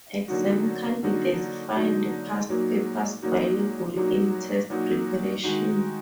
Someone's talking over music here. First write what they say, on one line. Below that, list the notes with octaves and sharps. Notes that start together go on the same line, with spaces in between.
Exam candidates find past papers valuable in test preparation.
D3 F#3 A#3 D#4 F#4
D3 F#3 A#3 D#4 F#4
D3 F#3 A#3 D#4 F#4
A#2 F#3 A#3 D#4 F#4
A#2 F#3 A#3 D#4 F#4
A#2 F#3 A#3 D#4 F#4
A#2 F#3 A#3 D#4 F#4
D#3 G#3 D#4 F#4